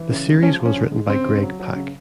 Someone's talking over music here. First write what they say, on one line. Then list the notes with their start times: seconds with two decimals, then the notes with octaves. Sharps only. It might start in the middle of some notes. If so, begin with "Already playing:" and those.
The series was written by Greg Pak.
Already playing: E3
0.09 C#3
0.26 G#3
0.43 F3 C#4
0.60 F3
0.65 C#4
0.76 D3
0.92 G#3
1.09 C#3 C4
1.26 C#3
1.43 F#3
1.60 F#3
1.75 C#3